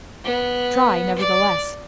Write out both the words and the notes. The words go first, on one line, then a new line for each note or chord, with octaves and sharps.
"Try, nevertheless."
B3
D5